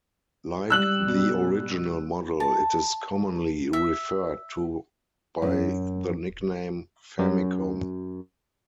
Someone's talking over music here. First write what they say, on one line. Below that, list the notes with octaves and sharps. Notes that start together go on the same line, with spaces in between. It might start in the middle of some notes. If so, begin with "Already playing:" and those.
Like the original model, it is commonly referred to by the nickname "Famicom".
G3 E6 F#6 F#7
B2
A5
E5
F#2
F#2